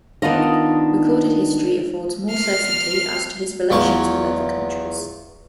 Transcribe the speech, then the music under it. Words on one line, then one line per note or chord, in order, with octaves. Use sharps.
Recorded history affords more certainty as to his relations with other countries.
D#3 B3 D4 D#4 F4 D#5
F6 C7
E2 F3 F#3 C#6